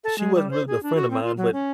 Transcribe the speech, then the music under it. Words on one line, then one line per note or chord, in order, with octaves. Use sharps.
She wasn't really a friend of mine, but
A4
G#3
G3
C5
G#4
D4
F#4
C4
F4
F#3
C#4